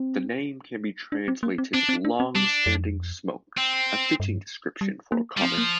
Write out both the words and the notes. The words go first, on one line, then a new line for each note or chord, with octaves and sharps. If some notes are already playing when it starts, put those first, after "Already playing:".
The name can be translated 'long standing smoke', a fitting description for a comet.
Already playing: C4
D4
C4
A#3
C4
C4 D4
C4
D4
C4
G3 D4
F2
C4
G2
G3
A#3
G3
F3 C4
A#3